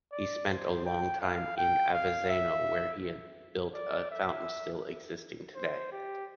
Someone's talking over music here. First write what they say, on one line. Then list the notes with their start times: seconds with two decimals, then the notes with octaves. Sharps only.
He spent a long time in Avezzano where he had built a fountain still existing today.
0.13 D5
0.49 C5
0.85 G5
1.21 F5
1.58 G5
1.94 F5
2.30 E5
3.74 D5
4.11 E5
5.55 C5
5.92 G4